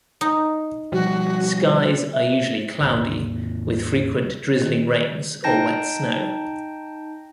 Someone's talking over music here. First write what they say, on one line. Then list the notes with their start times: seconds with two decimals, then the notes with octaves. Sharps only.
Skies are usually cloudy, with frequent drizzling rains or wet snow.
0.21 D#4
0.92 B2 F3 G3 F#4
2.13 E5
2.80 G#1 D#2
4.62 D#3
5.44 D#4 G5 A5 G6 A#6